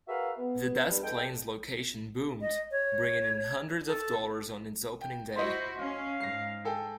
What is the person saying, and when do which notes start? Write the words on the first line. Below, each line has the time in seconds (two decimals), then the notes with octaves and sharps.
The Des Plaines location boomed, bringing in hundreds of dollars on its opening day.
0.08 F#4 G#4 A#4 B4 E5 F5
0.38 B3
0.88 G2 G3
1.03 E2 G#3 A4 G5
2.41 D#5
2.71 C#5
3.86 A4
5.01 G5
5.36 E4 F#4 C5 D#5 C6
5.79 C#4 F5
6.20 G#2 A#6 C7
6.65 G#4 A4 G5